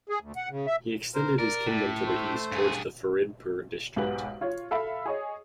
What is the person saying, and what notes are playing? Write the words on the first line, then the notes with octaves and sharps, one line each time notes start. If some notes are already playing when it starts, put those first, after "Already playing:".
He extended his kingdom to the east towards the Faridpur district.
G#4
D2
F#5
C#3
E5
A#4 C5
A#4 D5
A2
A3 C5
G2 G#4
B1 G#2 G4 B4 F#7
F4 C#5
A4 E5 F5 B5
G#4 C#5 D#5